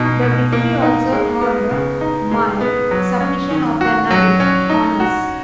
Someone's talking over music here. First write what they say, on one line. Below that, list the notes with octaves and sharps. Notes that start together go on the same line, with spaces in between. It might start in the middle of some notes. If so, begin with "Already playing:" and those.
The victory also earned Mir "Submission of the Night" honors.
Already playing: B2 D#4
B2
A#3
D#4
G#3
B3
C#3
D#4
G#3
B3
F#3
C#4
D#3
F#4
F#3
C#4
D#4
F#4